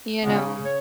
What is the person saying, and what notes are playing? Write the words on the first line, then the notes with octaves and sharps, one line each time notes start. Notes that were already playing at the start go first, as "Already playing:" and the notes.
You know?
A#2 C#3 G#3 B3
C#5